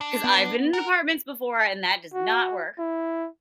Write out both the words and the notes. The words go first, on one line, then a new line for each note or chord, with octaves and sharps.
'Cause I've been in apartments before, and that does not work.
D4
B3
A#4 F#5
F#4
E4